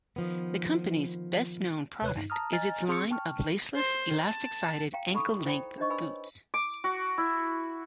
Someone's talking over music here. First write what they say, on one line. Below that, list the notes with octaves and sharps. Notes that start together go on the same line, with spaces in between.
The company's best-known product is its line of laceless, elastic-sided, ankle-length boots.
D#3 F3 B3
D#2 C3 B4 C#5 F#6
G2 D#4
A5 A#5 D#6 F6
D#5 G#5 A#5 F6 A6
C4 G#4 C6 C#6 E6 C#7
G5 A5 C#6 F6
C5
A5
F5 G5 A#5
D#4 A4 A#5 B5 C#6 D#6
E4 C5 D5 G5 A#5 B5
D4 D#4 C5 D#5 C#6
B4 D5 G#5 B5 E6
C#5
D6
F#4
E4